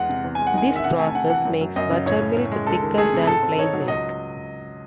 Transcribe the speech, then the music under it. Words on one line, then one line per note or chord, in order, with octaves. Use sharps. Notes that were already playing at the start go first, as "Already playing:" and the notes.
This process makes buttermilk thicker than plain milk.
Already playing: E2 G#3 F#5
C3
E2
G#3 G#5
F#5
D#4 G#5
D#3
E5
C3 F#5
A3 G#5
G#5
C3 F#5
E3 F#5
F#2
F#3
F#2 D#5
C#3
A2 C#5
C#4
A2
G#3
C#2 A4
D#3
A3 G#4
C3
G#2 A4
C4
D#4 C#5
F#3
C#2 D#5